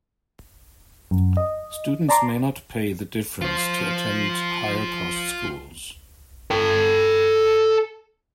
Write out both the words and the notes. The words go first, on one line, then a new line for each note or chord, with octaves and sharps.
Students may not pay the difference to attend higher-cost schools.
F#2
D#5
D5 A5 A#5 C6 D6
F4 C5
A4 G5